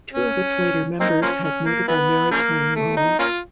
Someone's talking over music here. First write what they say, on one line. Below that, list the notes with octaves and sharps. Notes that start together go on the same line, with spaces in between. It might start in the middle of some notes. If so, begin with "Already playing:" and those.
Two of its later members had notable maritime roles.
C#4
A#3 C4 D#4
F3 A#3 C#4
C#4
A#3
E3 B3
C#3 F3 A#3
A3
D#4
A#3 C#4 F4